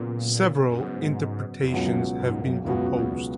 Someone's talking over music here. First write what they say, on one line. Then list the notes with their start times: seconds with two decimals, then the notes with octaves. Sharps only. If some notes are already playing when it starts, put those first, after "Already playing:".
Several interpretations have been proposed.
Already playing: A#2 C#3 F#3 B3
0.69 F#2
0.79 G#2 C#3 F#3 B3
1.63 E2
1.72 C#2 F#2 B2 F#3 B3 F#4
2.19 F#2
2.29 G#2
2.42 F#2
2.65 C#2 F#2 B2 F#3 B3 F#4
2.96 E2